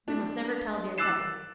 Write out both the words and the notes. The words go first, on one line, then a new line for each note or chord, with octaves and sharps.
We must never tell dear Seppy.
D4
D6 E6 F#6 A6 C7 E7